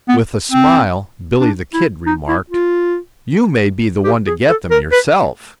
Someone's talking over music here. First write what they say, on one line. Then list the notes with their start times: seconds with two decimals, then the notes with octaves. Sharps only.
With a smile, "Billy the Kid" remarked: "You may be the one to get them yourself."
0.09 B3
0.52 C4
1.40 D4
1.74 E4
2.06 D#4
2.28 E4
2.50 F4
4.04 G4
4.27 G#4
4.49 A4
4.71 A#4
4.92 B4